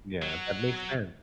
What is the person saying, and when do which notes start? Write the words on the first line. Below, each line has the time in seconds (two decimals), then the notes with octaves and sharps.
Yeah. That makes sense.
0.22 F#3